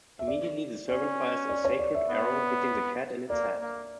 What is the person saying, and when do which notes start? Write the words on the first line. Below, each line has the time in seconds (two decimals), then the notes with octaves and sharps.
Immediately the servant fires a sacred arrow, hitting the cat in its head.
0.19 E5
0.28 D5
0.89 C#4 D5
1.49 D5
1.65 C#5
1.79 D5
1.95 E5
2.09 B3
3.30 A#3 D5
3.61 A#3